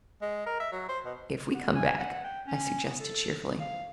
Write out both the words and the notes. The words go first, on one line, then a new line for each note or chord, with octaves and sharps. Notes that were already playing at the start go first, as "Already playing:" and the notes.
"If we come back," I suggested cheerfully.
G#3
A#4
E5
F#3
C5
B2
F#5
G#5
F#5
G5
C#4
B3
A4
F5